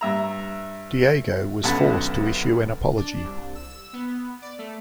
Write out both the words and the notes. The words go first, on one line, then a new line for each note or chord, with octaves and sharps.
Diageo was forced to issue an apology.
G2 E5 A#5
B1 F#2 D3 F#5 A5 B5
D4
C2
E6
B3
D5
A3